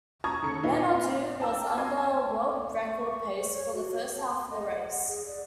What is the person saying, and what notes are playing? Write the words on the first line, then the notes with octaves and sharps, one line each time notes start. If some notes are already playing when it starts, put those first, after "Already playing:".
Manaudou was under world record pace for the first half of the race.
A5 A#5 C#6 D#6 G#6
D#2 C#3 A4 C#7
A#2 D#4 B4 E5 F5
G5 A5 A#5 E6
D#5 G#5 C6 G#6
A5
C#6
C#6
C5
C#5
F#4
C#5
A5
C6
D#5
F#5
G#4
D5